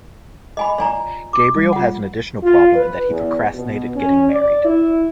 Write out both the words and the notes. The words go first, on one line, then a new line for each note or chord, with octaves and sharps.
Gabriel has an additional problem in that he procrastinated getting married.
D#5 G#5 B5
F4 D5 G#5 A#5
D6
G3
F4 F#5
F4
B4
E2
B2
C#4
D5
E4